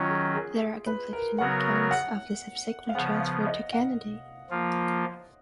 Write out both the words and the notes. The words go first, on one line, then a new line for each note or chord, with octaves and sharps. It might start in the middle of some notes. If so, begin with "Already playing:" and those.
There are conflicting accounts of the subsequent transfer to Kennedy.
Already playing: D#3 F#3 C#4 F4
G#4
G#4
B4
A#4
C#3 F#3 B3 F#4 A#4 F#5
F#5
F5
C#3 F3 B3 F#5
F5
D#5
F#5
F3 A#3 F4